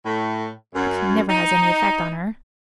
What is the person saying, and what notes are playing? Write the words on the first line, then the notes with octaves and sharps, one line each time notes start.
"Coaxing never has any effect on her."
A2
F#2
D#4